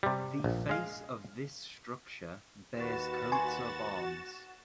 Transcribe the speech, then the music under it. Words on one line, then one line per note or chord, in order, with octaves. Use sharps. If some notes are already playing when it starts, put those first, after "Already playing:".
The face of this structure bears coats of arms.
C3 G3
A#1
G#3 F5
D#2 F#4 B4 A6 E7
G#5 C6 C#6